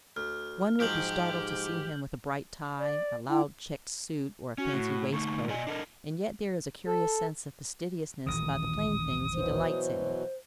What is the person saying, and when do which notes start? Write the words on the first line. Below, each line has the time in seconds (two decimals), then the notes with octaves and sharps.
One would be startled to see him with a bright tie, a loud checked suit, or a fancy waistcoat, and yet there is a curious sense of fastidiousness about the plain things he delights in.
0.16 D2 F6
0.80 G#2 F3 F#3 G#3 G4 F6 G6 F#7
2.79 D5
3.29 E4 G5
4.58 C#4 F#4
4.73 A2
5.13 D3 A3 D#4 C#6
5.48 B2 D5 D#5 G#5
5.67 D4 A4 A#4
6.87 A4
8.26 D#1 A1 D#3 D#6
9.34 B2 E3 F#3 C5